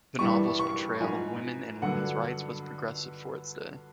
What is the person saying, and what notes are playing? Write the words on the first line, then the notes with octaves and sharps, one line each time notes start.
The novel's portrayal of women and women's rights was progressive for its day.
G2 E3 G3 C#6
C#6
G#2 F3 G#5
G2 D3 F#3 F#5